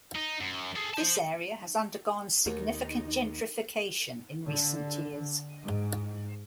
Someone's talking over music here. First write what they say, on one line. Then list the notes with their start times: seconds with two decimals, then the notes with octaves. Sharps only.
This area has undergone significant gentrification in recent years.
0.16 D#4
0.41 F#2
0.76 G#4 A4
0.94 C5 A5
2.46 D#2 A3 D#4 A#4
4.48 D3
5.63 G#2